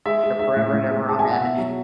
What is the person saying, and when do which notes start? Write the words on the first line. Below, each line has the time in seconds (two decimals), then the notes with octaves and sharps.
forever and ever, amen-
0.06 G#3 E5
0.23 G#3
0.39 G#3 E5
0.56 A2
0.73 A2
0.90 G#3
1.07 G#3 A5
1.19 G#3 G#5
1.31 F#5
1.41 B2 E5
1.58 F#3